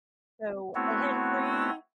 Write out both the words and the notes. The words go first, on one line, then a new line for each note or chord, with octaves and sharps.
So, every
A3 B3 C4 E4 F#4 C#5